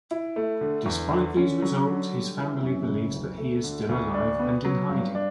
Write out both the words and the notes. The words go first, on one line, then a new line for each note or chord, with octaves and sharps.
Despite these results, his family believes that he is still alive and in hiding.
E4
A3
D3
E2
D3
C#4
F#3
D3
G3
E3
F#2
F#1
D2
A3
D3
D2
D4
B3
F#3
G2
D4